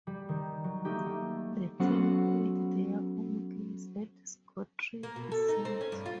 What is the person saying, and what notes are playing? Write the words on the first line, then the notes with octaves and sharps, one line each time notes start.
The team played their home games at Scottrade Center.
G3
D#3
F#3
A3 A#3 D#4 G4
A3
F#3 B3 C#4 F#4 A4 C5
A#3
B2
A4
D#4
C4
C#4
G2
F4